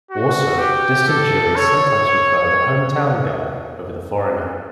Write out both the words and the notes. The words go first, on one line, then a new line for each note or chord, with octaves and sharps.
Also, distant juries sometimes prefer the "home-town" guy over the foreigner.
F#4
G4
A4
C#5